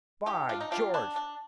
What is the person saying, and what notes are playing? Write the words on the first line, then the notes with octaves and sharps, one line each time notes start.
By George!
D#4 G4
D4 F4
D#4
C3 G3 A#3 D4 F4
D4
D4